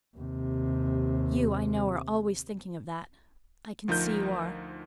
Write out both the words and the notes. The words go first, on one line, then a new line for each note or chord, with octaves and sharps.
You, I know, are always thinking of that--I can see you are.
D#2 C3
D2 F3 D#4 A#4 G6